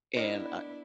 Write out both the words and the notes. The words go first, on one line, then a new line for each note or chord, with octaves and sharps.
and I
B3 D4 E4 A#4 D#5